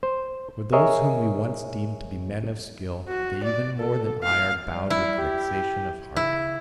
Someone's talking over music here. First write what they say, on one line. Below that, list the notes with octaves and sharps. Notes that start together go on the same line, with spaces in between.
For those whom we once deemed to be men of skill, they even more than I are bowed with vexation of heart.
C5
G#4 A#4 C#5 D#5 E5
F#4
D5
A4
F5
G3
E4
G4
C#3 E4